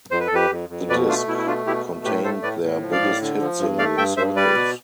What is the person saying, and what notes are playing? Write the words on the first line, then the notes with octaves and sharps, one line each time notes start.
The disc contained their biggest hit single, "Circles".
F2 C5
B4
A4
F2 G4 B4
F2
F2
B2 B4 D5
A3 D4 F4
B2 E4
E4
A3 D4 F4
B2 E4 G4
A3
A2 G4 B4
A3 A4 C5
A2 B4 D5
A2
F3
D5 F5
A2
D3
F3
G2
A3 D5 F5
G2 E5 G5
G2 C5 E5
G3 B4 D5
B2